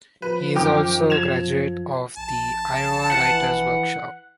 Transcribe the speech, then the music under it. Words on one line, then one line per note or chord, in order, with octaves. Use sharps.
He is also a graduate of the Iowa Writers' Workshop.
F3 B4
F#2 D#3 F#3 C#4 G5 D6
G#6 E7 F7
A#1 A5
E3 F#5